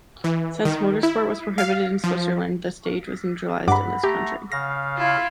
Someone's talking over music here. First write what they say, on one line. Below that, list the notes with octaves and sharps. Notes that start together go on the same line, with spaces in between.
Since motor sport was prohibited in Switzerland, the stage was neutralized in this country.
E3
D#3
E4
F5
F3
G2 F#5 B5 D6
A3 G4 A#5
C#3 F5 A#6
E4 F4